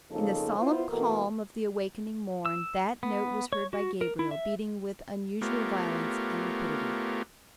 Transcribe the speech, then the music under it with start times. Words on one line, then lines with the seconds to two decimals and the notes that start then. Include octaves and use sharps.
In the solemn calm of the awakening morn that note was heard by Gabriel, beating with unusual violence and rapidity.
0.11 F2 C#3 F3 A#3 D#4 A4
0.59 B3 E4 F4 C5
0.89 B2 E3 A#3 A4 A#4
2.46 E6
3.03 B3
3.53 C#5
3.73 F#4
4.01 A#4
4.19 E4
4.31 E5
5.41 A3 B3 F4 G4 A#4 C#5